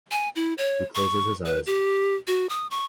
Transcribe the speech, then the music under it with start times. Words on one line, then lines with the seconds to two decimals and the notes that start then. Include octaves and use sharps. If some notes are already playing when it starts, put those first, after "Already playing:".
He closes his eyes.
0.11 G#5
0.36 E4
0.58 C#5
0.95 C#6
1.45 B4
1.66 G4
2.27 F#4
2.49 D#6
2.71 C#6